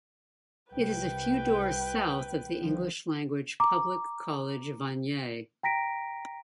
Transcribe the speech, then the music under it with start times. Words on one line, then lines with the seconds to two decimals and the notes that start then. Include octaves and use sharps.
It is a few doors south of the English-language public college Vanier.
0.72 C2 B4 G5
2.61 C2 D3 F3
3.60 A#5 D6
5.63 G5 A#5 A#6 B6 D7